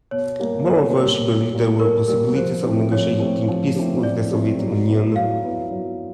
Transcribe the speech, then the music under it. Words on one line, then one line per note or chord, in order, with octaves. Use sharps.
Moreover, she believed there were possibilities of negotiating peace with the Soviet Union.
B2 C#5
G3 A#3
B2 C#5
G3 A#3
B2
G3 A#3
B2 A#4
G3 A#3 A#4
F3 C5
A3 C4 E4 G4
F3 C#5
A3 C4 E4 G4
F3
A3 C4 E4 G4
F3 D5
A3 C4 E4 G4
F#3
B3 E4
F#3 F5
B3 E4
F#3